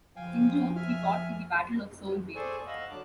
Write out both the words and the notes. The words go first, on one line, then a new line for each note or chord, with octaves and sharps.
In June he fought in the Battle of Sole Bay.
F3 F5 G5 G#5
E5 G#5 F6
G#4 A4 C5 D5 G#5 C#6
D#5 F5 F#5 B5 C#6 E6
D3 F#3 D4 A5 D6